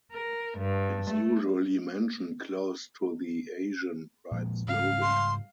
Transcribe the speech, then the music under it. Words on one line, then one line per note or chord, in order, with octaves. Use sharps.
It's usually mentioned close to the Asian Pride slogan.
A#4
G2
A3
A#2 F3 G#3
G#2 C#3 G3 F5
C6